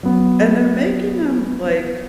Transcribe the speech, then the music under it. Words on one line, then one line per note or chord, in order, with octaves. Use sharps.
And they're making them, like
F#3 B3